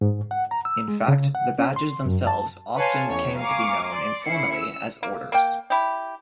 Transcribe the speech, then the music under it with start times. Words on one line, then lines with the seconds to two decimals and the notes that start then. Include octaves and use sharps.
In fact, the badges themselves often came to be known informally as "orders".
0.01 G#2
0.31 F#5
0.51 A#5
0.65 E6
0.88 G#3
1.08 C#3
1.35 F#5
1.59 C#4
1.76 C6
2.06 F#2
2.27 A5
2.76 B4 C#5 F5 G#5 A5 C6
3.07 A1 E2 C#5
3.39 F5 G#5 A#5 C#6 D6
3.92 D5 C6
4.26 C#4 E4 C7 C#7
4.55 E6
5.03 A#3
5.32 A#3 G5
5.70 E4 G4